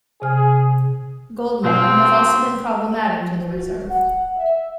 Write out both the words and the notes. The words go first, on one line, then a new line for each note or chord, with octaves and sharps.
Gold mining has also been problematic to the Reserve.
C3 G#4 F6
B2 C4 F5
F3
F#4
F#5
E5